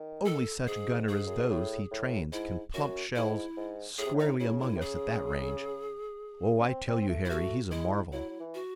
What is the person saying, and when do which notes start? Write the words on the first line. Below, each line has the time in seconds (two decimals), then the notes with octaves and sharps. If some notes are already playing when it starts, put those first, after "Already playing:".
Only such gunners as those he trains can plump shells squarely among us at that range! Oh, I tell you, Harry, he's a marvel.
Already playing: D#3
0.25 A4
0.67 G#2 G#4
1.08 G#4
1.26 F#2
1.39 G#2
1.50 A2
1.91 A2
2.32 G#2 E4
2.74 F#2 F#4
3.15 G#2 E4
3.57 G#2
3.98 A2 G#4
4.06 C3
4.14 A2
4.19 D#4
4.40 C#3 E4
4.60 E4
4.76 C3
4.81 C#3 G#4
6.60 C#4
6.67 C4
6.88 C4
7.01 C4
7.09 A3
7.25 E4
7.29 A3 F#4
7.71 G#3 E4
8.12 F#3 E4
8.30 F#3
8.40 E3
8.54 F#4